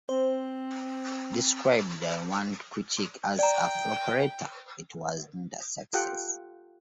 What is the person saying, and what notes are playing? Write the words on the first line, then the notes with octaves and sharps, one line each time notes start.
Described by one critic as a "floperetta," it was not a success.
C4 C5
D5 G5 A#5
F4 G4 A4 F#5 G5